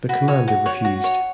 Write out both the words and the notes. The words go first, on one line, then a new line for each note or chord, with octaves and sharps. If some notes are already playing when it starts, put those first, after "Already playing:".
The commander refused.
F#4 B5
C#5 G#5
F#4
C#5 F#5
F#4
C#5